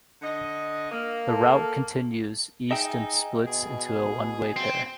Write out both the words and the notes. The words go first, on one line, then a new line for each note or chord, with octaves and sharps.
The route continues east and splits into a one-way pair.
D3 D#5
A#3
A4
D#4 G#4 D#5 E5 G5
B2 G#4
C4